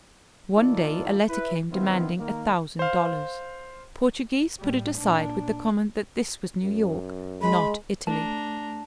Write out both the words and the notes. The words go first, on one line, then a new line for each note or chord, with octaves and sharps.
One day a letter came demanding a thousand dollars. Portoghese put it aside with the comment that this was New York, not Italy.
E3 A#3 D#4 F4 A4 D5
E4 B4
D#3 F3 B3 C4 E4 F4
D#3 A#3 A#4
C5 F5
A2 G3
A#2 D4
F#2
G#3 B5
A3 D4 A5 A#5